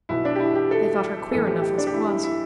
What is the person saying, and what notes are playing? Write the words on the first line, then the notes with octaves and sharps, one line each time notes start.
They thought her queer enough as it was.
B1 B2 E4
D4
G4
E4
G4
A4
B1 A2 E3 A4
G4
G4
D4
G4
E4
E4
E4